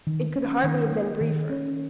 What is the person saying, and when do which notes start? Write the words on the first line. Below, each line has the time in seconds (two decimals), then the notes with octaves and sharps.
It could hardly have been briefer.
0.07 D#3
0.36 C#4
0.64 D#3
0.92 A#3
1.21 D#3
1.50 C#4